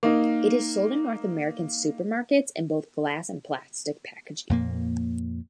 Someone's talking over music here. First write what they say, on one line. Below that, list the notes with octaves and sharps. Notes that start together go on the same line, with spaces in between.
It is sold in North American supermarkets in both glass and plastic packaging.
A#3 D#4
F2 A#2 A#3